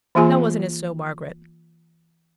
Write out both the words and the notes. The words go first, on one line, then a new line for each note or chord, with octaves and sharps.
Now wasn't it so, Margaret?'
E3 A#3 F4 G#4 G#5